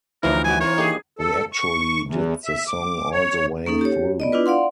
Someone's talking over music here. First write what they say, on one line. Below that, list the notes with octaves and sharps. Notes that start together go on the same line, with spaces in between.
We actually did the song all the way through.
D2 G#2 E3 F3 C#4 D#4 E4 A#4
G3 F#4 G#5
C4 F4 A#4 C#5
A#3 D4 D#4 G4 G#4
A4
C#6
E2
E5
D6
C#5
A#3 C#4 D#4 A4
G4 C#5
B3 D5 D#5
D4 E4 F4 B4
D5 F5 F#5 C6